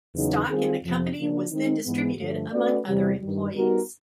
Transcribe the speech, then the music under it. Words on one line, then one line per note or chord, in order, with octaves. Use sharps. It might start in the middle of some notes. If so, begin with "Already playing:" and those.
Stock in the company was then distributed among other employees.
E2 C#3 F#3 B3 D#4
D#3 G3 C4 F4 G#4
F2 C3 F3
C#3 F3 A#3 D4
D#3 G#3 C4 D#4
G#2 E3 G#3 B3
G2 D3 F3 A3
A3 C#4 F#4 B4 D5
E2 C3 E3 G3
G2 D#3 G3
G3 B3 D#4 F#4 A#4